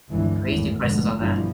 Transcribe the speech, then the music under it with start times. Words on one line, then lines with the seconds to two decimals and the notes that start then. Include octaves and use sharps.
Crazy prices on that.
0.11 G1 C#2 E3
0.46 G#1 E2 A2 E3
0.79 F1 G#2 B2 D3
1.17 G1 G2 B2 E3 F3 G3